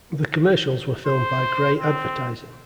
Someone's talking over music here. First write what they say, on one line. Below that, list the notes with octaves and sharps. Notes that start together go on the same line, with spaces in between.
The commercials were filmed by Grey Advertising.
C5
C4